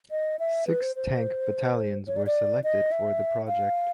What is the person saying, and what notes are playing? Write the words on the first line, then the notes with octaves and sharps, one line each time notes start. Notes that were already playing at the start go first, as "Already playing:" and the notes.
Six Tank Battalions were selected for the project.
D#5
E5
B4
C5
C5
C#5
D5
D5
D#5
E5
F5